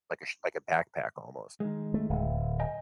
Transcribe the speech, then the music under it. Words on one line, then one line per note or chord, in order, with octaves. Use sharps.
like a like a backpack almost.
D#3 G#3
A3
D1
D#5 G5 G#5